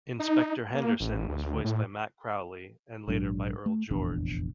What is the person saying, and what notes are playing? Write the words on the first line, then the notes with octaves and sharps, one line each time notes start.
Inspector Henderson was voiced by Matt Crowley and later by Earl George.
D#4
A#3
A1
D2
A2
A#1 G#2 F#3 D4
A3
F1 A#1 E2 D4